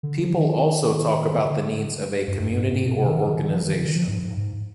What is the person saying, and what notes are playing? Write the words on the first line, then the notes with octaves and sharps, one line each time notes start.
People also talk about the needs of a community or organization.
D3
F3
D#3
D3
G2
G2
G2
G#2
G#2
B2
C3
D#3
D3
D#3
D#3
F3
D#3
D3
D#3
F3
G#2
G#2
G#2